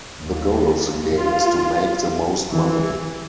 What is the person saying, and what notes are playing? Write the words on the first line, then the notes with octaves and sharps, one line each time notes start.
The goal of the game is to make the most money.
D#2
F4
E3